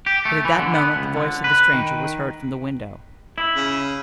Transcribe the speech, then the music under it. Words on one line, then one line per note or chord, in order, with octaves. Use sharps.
But at that moment the voice of the stranger was heard from the window.
G4
A3
E3
D3
B3
C#2
D3
B4
D#3
E4
C#3